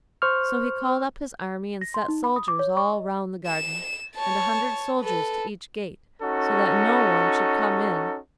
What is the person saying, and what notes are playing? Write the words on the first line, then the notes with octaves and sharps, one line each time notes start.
So he called up his army, and set soldiers all round the garden, and a hundred soldiers to each gate, so that no one should come in.
C5 C#6 F6
A#6
C6
D#4
B5
D#6
D6
C#5
C#6
D#5
E7
C#5 A5
A4 B4
C#4 D#4 F#4 A4